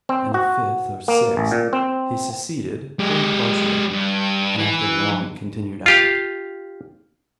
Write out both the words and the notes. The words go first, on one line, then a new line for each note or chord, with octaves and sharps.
In the fifth or sixth he succeeded very partially, and after long continued effort.
C4
F#4
A#3
A1
A#2
C4
G#3 G4
G2
E3
F4 G4 F5